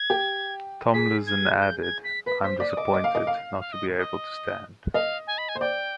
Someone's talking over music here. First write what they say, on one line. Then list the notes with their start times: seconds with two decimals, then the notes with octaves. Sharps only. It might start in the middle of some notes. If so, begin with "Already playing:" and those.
Tomlinson added: I am disappointed not to be able to stand.
Already playing: G#6
0.10 G4
0.94 G#4 B6
1.27 G#6
1.60 G6
1.82 G#6
2.04 B6
2.26 B4 B6
2.44 C5 B6
2.60 D5 B6
2.70 D#6
2.77 D#5 D6
2.94 D#5
3.04 F5
3.15 D#5
3.27 F5
3.60 F5
3.73 D#5
3.98 D#5
4.94 D#5 F5
5.27 G#5
5.38 B5
5.49 G#5
5.55 C5
5.60 D5 G5